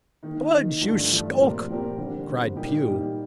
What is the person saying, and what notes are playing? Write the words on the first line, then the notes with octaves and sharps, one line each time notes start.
"Budge, you skulk!" cried Pew.
D#3 A#3 D#4
D#3 A#3 D#4
G2 D3 F3 A3
G2 D3 F3 A3
A#2 F3 C4 G4 A#4
A#2 F3 C4 G4 A#4
D3 G3 C4
D3 G3 C4
A#2 G3 A#3 D#4 G4
A#2 G3 A#3 D#4 G4